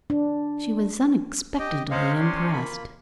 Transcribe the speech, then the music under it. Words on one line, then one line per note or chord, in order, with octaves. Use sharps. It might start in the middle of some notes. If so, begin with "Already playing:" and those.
She was unexpectedly impressed.
D4
G4 D#5 G5
C3 C#4 C5 D#5 F5
D5 C6
A#3 F4 B5